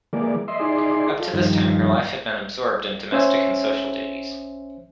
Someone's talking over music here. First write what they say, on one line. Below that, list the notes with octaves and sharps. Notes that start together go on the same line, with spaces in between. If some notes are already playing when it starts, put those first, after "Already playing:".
Up to this time, her life had been absorbed in domestic and social duties.
E3 G#3 A#3 D5
D#5 E5 C6
D#4 E4 G#4 D5 C6
F4 A4
G2 D#3 F3
C#4 C5 C#5 E5 G#5 E6